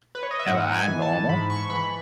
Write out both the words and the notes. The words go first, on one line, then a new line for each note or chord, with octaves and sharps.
Am I Normal?
B4
C#5
D#5
E5
G#2 F#5
G#5
E3
A5
G#2 B5
C#6
E3 B5